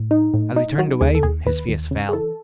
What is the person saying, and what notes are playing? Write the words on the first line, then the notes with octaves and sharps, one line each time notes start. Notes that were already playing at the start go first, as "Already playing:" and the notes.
As he turned away his face fell.
Already playing: A2
D#4
A2
D#4
F#3 F#4
D#2 G#4
A4
D#2 G#4
D#2 B4
D#2
C#3
G#4
E3 A4